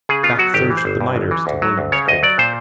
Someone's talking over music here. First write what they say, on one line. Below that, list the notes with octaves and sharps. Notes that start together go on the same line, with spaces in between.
Back surged the miners to William's Creek.
C#3 G#4
B3 F4
F#3 F#4
G1 G4
E3
C5
G1
G2
G1
E3
D2
F#3
D2
C#3 C#5
D2 D#5
F#3 D5
A#2 C5